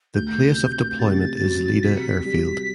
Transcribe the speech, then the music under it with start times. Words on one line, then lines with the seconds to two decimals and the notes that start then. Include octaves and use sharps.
The place of deployment is Lida Airfield.
0.15 D2 G6
0.58 C3
0.99 C3 A6
1.41 F#3
1.73 A6
1.83 C3 B6
2.25 G3